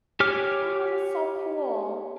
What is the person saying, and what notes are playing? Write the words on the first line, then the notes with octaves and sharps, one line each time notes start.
Oh, that's so cool.
G4 C#5 G#5 D6 F6